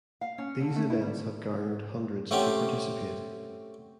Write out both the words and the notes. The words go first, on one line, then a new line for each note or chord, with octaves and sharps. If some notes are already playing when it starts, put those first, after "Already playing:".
These events have garnered hundreds to participate.
F5
C#4
D3
A3
E4
G3
A3 C4 C#4 F#4 G4